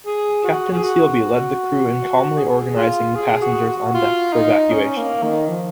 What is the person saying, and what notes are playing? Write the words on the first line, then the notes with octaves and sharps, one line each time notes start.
Captain Sealby led the crew in calmly organizing the passengers on deck for evacuation.
G#4
F#4
G#4
F#4
G#4
F4
G#4
F#4
F#4
F4
D#4
C#4
A#3
D#3
F3